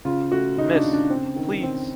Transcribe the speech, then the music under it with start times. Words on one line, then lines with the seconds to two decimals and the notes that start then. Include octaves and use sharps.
Mrs!... Please!...
0.05 C#3 F4
0.32 A3 F#4
0.58 C#3 D#4
0.75 D4
0.84 C#3
0.93 D4
1.10 C4
1.36 D#3
1.63 C4